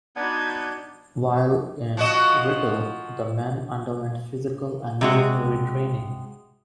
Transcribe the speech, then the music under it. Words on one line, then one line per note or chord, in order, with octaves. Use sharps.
While in Writtle the men underwent physical and military training.
B3 D4 D#4 F#4 D5 G6 G#6
F3 F#4 D#5
C3 G#3 F#4